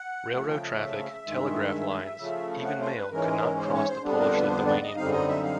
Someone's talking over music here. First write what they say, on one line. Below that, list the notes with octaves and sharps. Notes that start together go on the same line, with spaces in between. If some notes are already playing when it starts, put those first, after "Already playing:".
Railroad traffic, telegraph lines, even mail could not cross the Polish-Lithuanian border.
Already playing: F#5
C#3 F3 A3 F#5
G5
D#5
E5
G2 D#3 G#3
C#3 F3 A3
F#5
C5
B4
G#2 E3 G#3 C#4 A#4
C5
C#5
C5
F2 D3 G3 B3 D4
A#4
C5
B4
C5
D5
D#5
F#2 D3 G3 C4 D#4 F5
D#5
E5
F5